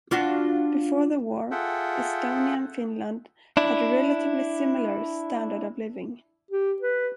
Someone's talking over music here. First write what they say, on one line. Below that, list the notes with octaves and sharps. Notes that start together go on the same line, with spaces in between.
Before the war, Estonia and Finland had a relatively similar standard of living.
D4 F4 F#4
F4 G#4 A4 E5 F#5 G5
D4 E4
G4
B4